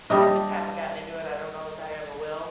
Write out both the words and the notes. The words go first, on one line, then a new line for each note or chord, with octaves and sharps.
I just haven't gotten into it, I don't know if I ever will.
G3 D4 D#5 E5 D#6